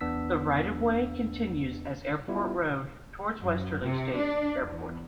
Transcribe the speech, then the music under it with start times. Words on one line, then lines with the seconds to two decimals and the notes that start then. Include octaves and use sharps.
The right-of-way continues as Airport Road towards Westerly State Airport.
0.01 E2 B3 D4 E6 B6
2.28 G3 B3 E4 F4
3.41 F#2
3.82 C3
4.16 D4
4.64 E2